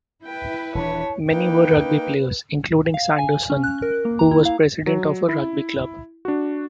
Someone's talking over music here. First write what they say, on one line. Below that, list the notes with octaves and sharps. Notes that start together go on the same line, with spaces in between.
Many were rugby players, including Sanderson, who was president of a rugby club.
E4 B4 G5
D#1 E3 D4 C#5 A5
A#3 D#4 B4 G5
F5
G#5
C#4
F#6
A#4
A#3
A#5
E4
F5
F#3
E4
D4 F#4